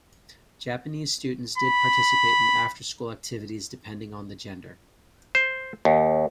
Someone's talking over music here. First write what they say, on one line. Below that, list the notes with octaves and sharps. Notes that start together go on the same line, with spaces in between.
Japanese students did participate in after-school activities depending on the gender.
B5
C5
D#2